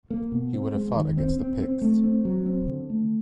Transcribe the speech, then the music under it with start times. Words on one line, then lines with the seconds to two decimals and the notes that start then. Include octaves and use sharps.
He would have fought against the picts.
0.10 A#3
0.32 B2
0.53 C4
0.75 G#3
0.96 D#3
1.17 C4
1.39 C4
1.61 C4
1.82 A3
2.04 C4
2.25 F#3
2.46 C4
2.68 D3
2.90 A3